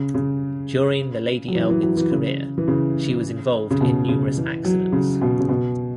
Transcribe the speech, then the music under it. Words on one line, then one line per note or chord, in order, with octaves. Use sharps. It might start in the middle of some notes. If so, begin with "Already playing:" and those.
During the "Lady Elgin's" career she was involved in numerous accidents.
Already playing: C#3
C#3
F#3
E3
E3
F#3
E3
C#3
E3
C#3
C#3
B2
C#3
E3
F#3
C#3
B2
C#3
B2